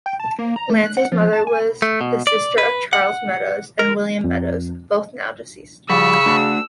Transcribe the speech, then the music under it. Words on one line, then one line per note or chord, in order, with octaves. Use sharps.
Lance's mother was the sister of Charles Meadows and William Meadows, both now deceased.
G5
A5
A#3
A#5
A3
F#6
F#5
F3
A5
G#5
A3
B2
D5
B4
F#5
A#4
F2
C#3 F3 G3 B5 C#6 E6
A3 D4 F#4